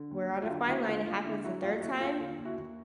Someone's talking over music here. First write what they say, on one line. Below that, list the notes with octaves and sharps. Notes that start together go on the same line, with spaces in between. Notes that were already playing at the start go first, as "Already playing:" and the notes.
we're on a fine line. It happens a third time,
Already playing: D3
D#2
F#3
F4
D3
D#2 E4 F#4
D3 F4
D#2 F4
D3 E4
F#3 E4 F#4
D#2 F4 G4
D#2 E4 F#4
D#2 F4
D3 F4
D#2
E4 F#4
D#2